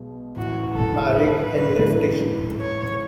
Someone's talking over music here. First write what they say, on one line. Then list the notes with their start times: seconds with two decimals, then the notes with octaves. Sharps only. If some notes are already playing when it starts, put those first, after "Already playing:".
Married and left issue.
Already playing: B1 B2 G#3
0.36 A1 A2 E3 F#4
0.73 A4
1.10 B4
1.84 A1 G#2 E3 A3 E4
2.58 C#5